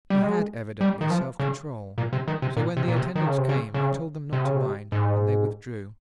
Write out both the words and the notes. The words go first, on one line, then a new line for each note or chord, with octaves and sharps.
He had evidently self-control; so when the attendants came I told them not to mind, and they withdrew.
G3
G#3
G3
D#3
F3
C#3
A#2
C3
D#3
C3
A#2
C3
A#2
C3
D#3
C#3
C3
C#3
C#3
C3
C#3
C3
G#2